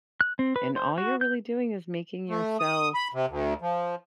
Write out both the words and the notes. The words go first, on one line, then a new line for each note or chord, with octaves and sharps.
and all you're really doing is making yourself
F#6
C4
B4
C5
F#4
G6
A3
D#6
B5
C3
D2
F3